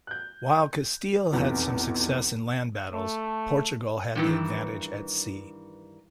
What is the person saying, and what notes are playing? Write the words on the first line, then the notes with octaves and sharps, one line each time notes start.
While Castile had some success in land battles, Portugal had the advantage at sea.
F#6 G6
F1 B1 E2 C3
A3
G2 D#3 E3